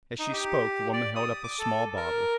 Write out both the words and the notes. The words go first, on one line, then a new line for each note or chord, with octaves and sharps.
As she spoke the woman held up a small bottle.
D#4
G4
D5
D#6
D6
A4
A#4